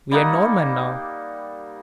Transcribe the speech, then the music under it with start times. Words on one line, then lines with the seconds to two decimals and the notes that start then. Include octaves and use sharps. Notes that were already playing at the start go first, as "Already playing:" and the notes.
We are Norman now.
0.11 G3 A#3 D#4 F#5